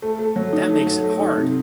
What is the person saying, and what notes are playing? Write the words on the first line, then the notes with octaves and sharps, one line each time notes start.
That makes it hard!
A3
A3
F#3
D#4
A3
F#3
A3
D#4
C3